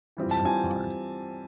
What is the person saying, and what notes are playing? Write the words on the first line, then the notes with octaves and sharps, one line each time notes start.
That's hard.
E3 G3 C4 F4
A5
E3 G3 C4 F4 G#5